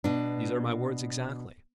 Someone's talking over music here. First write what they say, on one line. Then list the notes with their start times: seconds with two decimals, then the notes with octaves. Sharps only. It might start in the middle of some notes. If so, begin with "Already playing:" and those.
"These are my words exactly."
0.04 B2 D4